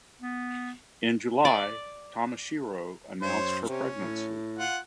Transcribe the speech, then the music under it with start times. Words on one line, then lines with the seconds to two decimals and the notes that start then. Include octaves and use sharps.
In July, Tamashiro announced her pregnancy.
0.21 B3
1.45 D5
3.22 F#2 C5 C#5
3.68 C3 C#4
3.99 A2
4.58 F4 F#5